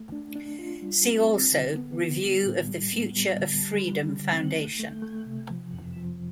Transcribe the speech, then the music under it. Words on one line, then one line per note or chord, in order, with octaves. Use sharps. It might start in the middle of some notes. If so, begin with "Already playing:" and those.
See also review of the Future of Freedom Foundation.
Already playing: A3
D4
D4
F4
G3
C4
C4
D3
B3
B3
G3
A2
G3
B3
G3
D3
G3
G3
D3
C4
A3
A3
A3
C3
F3
F2
F3